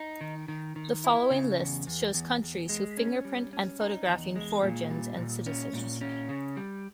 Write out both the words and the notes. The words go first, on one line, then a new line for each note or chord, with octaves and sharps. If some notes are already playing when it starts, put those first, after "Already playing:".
The following list shows countries who fingerprint and photographing foregins and citizens.
Already playing: D#4
D#3
D#3
D#3
E4
C#3
E2
E2
E2
E2
G#3
C#4
G3
C#4
D#4
E2
G#3
A#2
G3
A#2
C#4
A#2
C#4
C#3
G3